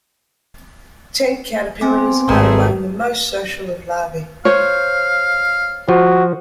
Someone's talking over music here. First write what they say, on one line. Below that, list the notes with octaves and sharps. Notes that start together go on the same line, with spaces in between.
Tent caterpillars are among the most social of larvae.
B3 C4 G#5 D6
G#1 A3 G#4 A#4 B4 A#5
C5 C#5 F5
F3 F#4